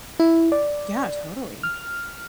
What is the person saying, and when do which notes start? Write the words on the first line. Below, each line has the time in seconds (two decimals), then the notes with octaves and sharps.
Yeah, totally.
0.20 E4
0.52 D5
1.63 F6